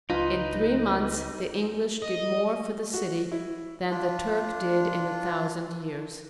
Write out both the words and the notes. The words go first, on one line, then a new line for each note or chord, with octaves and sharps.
In three months the English did more for the city than the Turk did in a thousand years.
C#2 F#3 D4 D#4 F4 B4
D#5
F#4
E4
D4 F4